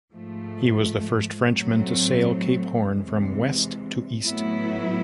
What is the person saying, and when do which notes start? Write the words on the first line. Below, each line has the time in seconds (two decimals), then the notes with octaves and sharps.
He was the first Frenchman to sail Cape Horn from west to east.
0.13 G#2 F3 A3
1.49 A2 F#3 A3 C4
2.86 E2 C3 E3 G#3
4.23 A2 F#3 B3 E4